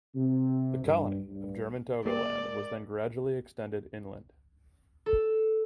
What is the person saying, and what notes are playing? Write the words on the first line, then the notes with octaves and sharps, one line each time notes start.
The colony of German Togoland was then gradually extended inland.
C3
G2
G2
G#3 A#3 A#4 D5
A4